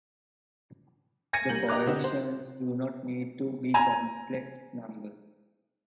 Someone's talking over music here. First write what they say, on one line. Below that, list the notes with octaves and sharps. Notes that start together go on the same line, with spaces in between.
The coefficients do not need to be complex numbers.
G#5 G#6 A#6 C#7 D#7
G3 A#3 G6 F#7
G4 D#5 A#5 D6 F#6
D3 B3 C4 D#4 F#4 G4
C5
G#5 A#5